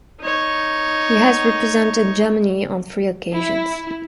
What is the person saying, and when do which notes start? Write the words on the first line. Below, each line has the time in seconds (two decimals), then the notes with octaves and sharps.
He has represented Germany on three occasions.
0.21 D#4 C#5
3.34 E4